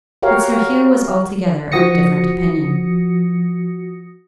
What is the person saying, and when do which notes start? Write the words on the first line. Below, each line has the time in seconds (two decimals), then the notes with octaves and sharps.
But Sir Hugh was altogether of a different opinion.
0.23 F#4 G4 A#4 C#5 F5
1.72 F3 F#4 D#6 A#6 C#7